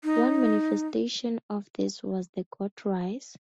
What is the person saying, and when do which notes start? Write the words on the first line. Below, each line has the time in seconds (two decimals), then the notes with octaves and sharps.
One manifestation of this was the Got Rice?
0.04 D#4